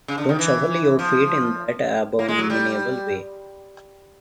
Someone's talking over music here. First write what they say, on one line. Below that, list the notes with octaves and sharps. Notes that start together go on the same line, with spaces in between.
Don't shuffle your feet in that abominable way.
C#3
D3
D#3
E3
F3
A#3
G#3
F#3
G3